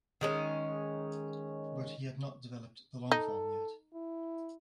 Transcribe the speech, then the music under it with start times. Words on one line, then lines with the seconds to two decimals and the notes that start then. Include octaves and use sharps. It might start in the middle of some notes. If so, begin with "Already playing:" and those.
But he had not developed the long form yet.
0.21 D#3 G#3 C#4
3.12 D#4 A4
3.94 E4